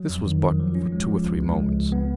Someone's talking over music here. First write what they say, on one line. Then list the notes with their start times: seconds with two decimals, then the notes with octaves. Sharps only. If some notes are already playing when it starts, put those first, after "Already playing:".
This was but for two or three moments.
Already playing: F#3
0.09 F2
0.26 D#3
0.42 F#3
0.60 F3
0.75 C#4
0.92 G#3
1.09 F3
1.26 C#2
1.42 G#3
1.59 C#2
1.75 C#2
1.92 B3